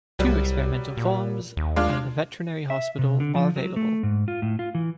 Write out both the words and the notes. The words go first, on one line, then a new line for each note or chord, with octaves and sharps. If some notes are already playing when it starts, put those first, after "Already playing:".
Two experimental farms and the Veterinary Hospital are available.
C2 F#3 G3
A#2
D#2
G#3 D4 F4
E5
C3
D3
F3
F#3
A3
G#2
F4
A2
F4
E3